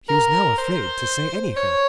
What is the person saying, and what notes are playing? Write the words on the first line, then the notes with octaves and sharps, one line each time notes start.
He was now afraid to say anything.
A#4
C5
C#5